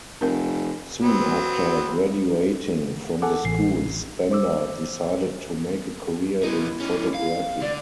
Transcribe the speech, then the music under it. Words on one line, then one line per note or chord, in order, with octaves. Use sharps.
Soon after graduating from the school Spender decided to make a career in photography.
F1 C4 A#4
F#3 B3 C4
A4 F#5 G#5 D6
A1 C7
C5 D6 E6
B3 D#4 E4
C#4 D#4
F5
D3 D5